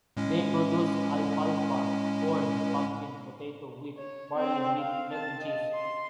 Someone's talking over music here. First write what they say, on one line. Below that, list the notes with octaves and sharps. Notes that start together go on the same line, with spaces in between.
They produce alfalfa, corn, pumpkin, potato, wheat, barley, meat, milk and cheese.
A2 G#3 C#4
C#5
C4
F5
A5
D#5
C6